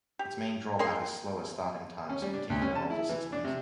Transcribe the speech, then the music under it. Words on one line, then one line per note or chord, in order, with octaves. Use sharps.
Its main drawback is slower starting times, particularly on older systems.
G4
A#3 G#4 G5 C6
C#4
G3
D4
D2
C#4
A5
E4
E3
D4
C3